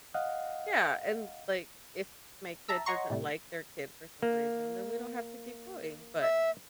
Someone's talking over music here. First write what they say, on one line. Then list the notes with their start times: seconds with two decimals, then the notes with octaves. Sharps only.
Yeah, and, like, if my kid doesn't like their kid for some reason, then we don't have to keep going, but
0.14 D#5 F5 F#5
2.68 E5 A5 A#5 E6
2.86 C#5 D#5 F#5 A#5 C6 C#6
3.10 A2 C3 G3 A3
4.23 A#3
6.21 E5